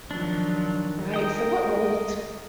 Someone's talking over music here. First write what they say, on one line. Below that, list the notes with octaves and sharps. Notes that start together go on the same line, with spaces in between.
Right. So what role does
D#3 F3 F#3 D4
A#4 G5 D#6
D#5